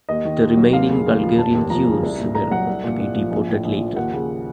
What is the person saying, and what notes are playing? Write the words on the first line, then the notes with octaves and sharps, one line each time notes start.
The remaining Bulgarian Jews were to be deported later.
D#2 D#5
D#3
D#2
F#3
D#2 F5
C#3
D#2
F3
F1 A5
D#2
F3 A#5
C#3
C2
A#2
C2 A#5
F#3 F#5
C2
A#2
C2
F3
A#1
A2
A#1
F3
D#2 F#5
C#3